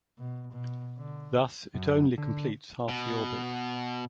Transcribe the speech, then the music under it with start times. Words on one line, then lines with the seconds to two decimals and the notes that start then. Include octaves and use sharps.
Thus, it only completes half the orbit.
0.18 B2
0.52 B2
0.98 D3
1.74 F#2
2.18 D3
2.88 B2